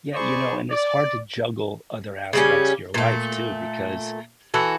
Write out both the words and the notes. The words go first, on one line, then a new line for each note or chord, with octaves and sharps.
Yeah, you know, and it's hard to juggle other aspects of your life too because,
G#4 C5 D5 B5 C#6
D5
C#3 G3 C#4
A#2 A3
E3 F#4 A4